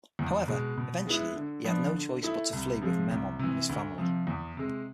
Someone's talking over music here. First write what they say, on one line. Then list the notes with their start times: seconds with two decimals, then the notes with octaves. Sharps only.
However, eventually, he had no choice but to flee with Memnon and his family.
0.19 E2
0.48 B2 G#3
0.77 B2
1.07 G#3 B3 E4
1.36 D3
1.64 F3 B3 D4
1.94 D3
2.23 A3 E4
2.53 C2
2.81 C3 F3 G#3
3.10 C2
3.39 C3 E3
3.69 D2
3.98 C3 F3
4.27 E2
4.57 C3 G#3